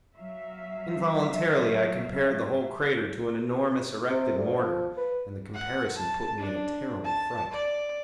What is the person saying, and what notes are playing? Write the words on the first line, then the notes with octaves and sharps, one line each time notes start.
Involuntarily I compared the whole crater to an enormous erected mortar, and the comparison put me in a terrible fright.
F#3 E5 F5
C3
D2
F3
B4
F#5
A5
D4
A5
D5